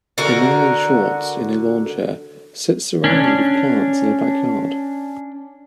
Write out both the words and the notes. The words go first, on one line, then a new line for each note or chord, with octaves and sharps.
A man in shorts in a lawn chair sits surrounded with plants in a backyard.
D3 F#4 A#4
C#4 D4